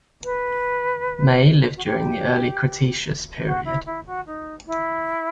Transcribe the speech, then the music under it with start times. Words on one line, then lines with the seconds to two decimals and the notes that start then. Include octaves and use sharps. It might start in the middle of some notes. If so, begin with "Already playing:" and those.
"Mei" lived during the Early Cretaceous Period.
0.24 B4
1.76 F#4
1.85 G4
3.46 F#4
3.65 E4
3.86 E4
4.06 F#4
4.26 D#4
4.67 E4